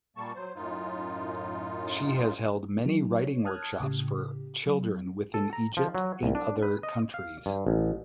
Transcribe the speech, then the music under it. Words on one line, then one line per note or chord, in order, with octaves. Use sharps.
She has held many writing workshops for children within Egypt and other countries.
A#2 G3 A#3 A5 C#6
F#3 C5
F#2 A2 D#4 F4
F#3 D#4
C#5
A5 D#6 F6 F#6 G#6
A2 C#3 G4
F#3
A4
A#5
F3
F#3
C2
D4
B4
D#5
F5
G2
A1